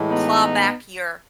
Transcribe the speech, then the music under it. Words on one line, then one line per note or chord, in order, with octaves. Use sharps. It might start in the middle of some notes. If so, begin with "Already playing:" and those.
claw back your
Already playing: A2 E3 G#3
B3 D#4